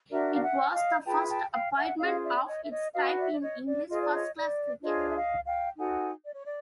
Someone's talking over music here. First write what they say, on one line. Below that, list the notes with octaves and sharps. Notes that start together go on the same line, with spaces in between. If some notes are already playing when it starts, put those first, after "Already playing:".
It was the first appointment of its type in English first class cricket.
D4 F#4 A#4 D5 E5
F5
E5 F#5
D#5 F5
F4 G#4 B4 G5 A5
G5 A5
F5 G5
E5 F#5
C#4 F4 G#4 C5 D#5 F5
D5 E5
C#5 D#5
E5
C#5 D#5
F#4 B4 D#5 F5
D5 E5
D5
C#5 D#5
D5
F4 G#4 C5 D#5
D5
C#5 D#5
D5
D4 F4 G#4 C5 C#5 D#5
E5
D#5 F5
F5 G5
D#4 F#4 A4 C5 F#5 G#5
D5
C#5
D5